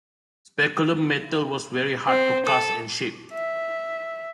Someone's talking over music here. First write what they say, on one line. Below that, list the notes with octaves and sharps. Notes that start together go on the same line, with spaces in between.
Speculum metal was very hard to cast and shape.
C4
A4
E5